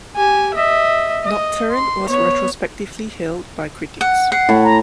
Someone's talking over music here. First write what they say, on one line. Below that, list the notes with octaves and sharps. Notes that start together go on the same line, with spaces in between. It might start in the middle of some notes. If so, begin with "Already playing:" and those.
"Nocturne" was retrospectively hailed by critics.
G4 G#5
D#5 E5
D#5
C6
B3 C#5
F#5
F#5 C7
A2
A#5